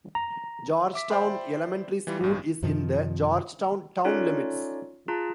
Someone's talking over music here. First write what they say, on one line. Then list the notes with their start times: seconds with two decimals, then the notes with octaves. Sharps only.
Georgetown Elementary School is in the Georgetown town limits.
0.15 A#5
0.94 E5 D6 B6
1.10 C5 D5 E5 G5 B5 C6
2.07 E3 G3 F4
2.20 A1 G2
2.63 F#2 C3 D#3 F3
4.04 C#4 D#4 F4 A4 C#5 D5
5.08 F4 G#4 A5 A#5